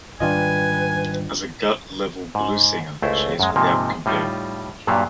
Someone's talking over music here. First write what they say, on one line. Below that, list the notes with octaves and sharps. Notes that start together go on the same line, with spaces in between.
As a gut-level blues singer she is without compare.
G#2 D#3 G3 D4 F4 B4 D#5 G#5
G#2
C#2 A3 E4 C5
F#2 G#3
G#2 C3 F3 A#3
A2 G3 D#4 F4 A5
G2 A#2 F#3 G3 E5 F5